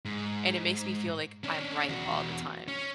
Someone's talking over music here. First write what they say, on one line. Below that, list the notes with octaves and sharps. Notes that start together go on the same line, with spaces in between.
and it makes me feel like I'm right all the time,
G#2
C#4 D4
E2 F#4
C#4